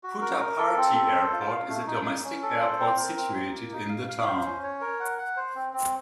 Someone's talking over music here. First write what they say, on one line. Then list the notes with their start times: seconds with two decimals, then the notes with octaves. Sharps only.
Puttaparthi Airport is a domestic airport situated in the town.
0.03 F#4
0.21 A#4
0.39 A#4
0.58 A4
0.77 C4
0.95 A4
1.14 C5
1.32 F4
1.50 F5
1.69 A3
1.87 D#4
2.05 D#4
2.24 C#4
2.42 A4
2.60 C5
2.80 C4
2.97 A#4
3.16 C4
3.34 D#4
3.52 A#3
3.71 D#4
3.89 F5
4.08 F5
4.27 C5
4.45 C#4
4.63 C#5
4.81 A#4
5.00 F#5
5.18 F#5
5.37 C5
5.55 C4
5.73 C4